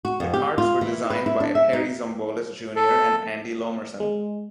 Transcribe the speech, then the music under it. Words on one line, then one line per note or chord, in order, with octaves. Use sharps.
The karts were designed by Perry Zombolis Junior and Andy Lomerson.
F#4
F2
G4
F4
E3
B4
E4
D4
E5
D#4
A4
G#3